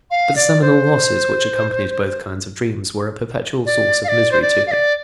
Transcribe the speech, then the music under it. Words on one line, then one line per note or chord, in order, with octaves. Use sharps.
But the seminal losses which accompanied both kinds of dreams were a perpetual source of misery to him.
F5
D5
C5
D5
F5
D5
C5
D5
F5
D5